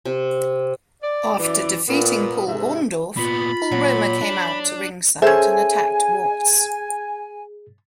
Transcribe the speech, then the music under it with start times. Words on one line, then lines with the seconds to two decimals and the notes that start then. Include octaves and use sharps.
After defeating Paul Orndorff, Paul Roma came out to ringside and attacked Watts.
0.05 C3
1.03 D5
1.38 F#2 E3 D5
1.88 A#2 B3
2.46 G#2 C3 E5
3.17 A#2 B3 F4 B5
3.72 A#2 F#3
4.21 D4
5.22 C#4 G#4 A4 C5 E5 G#5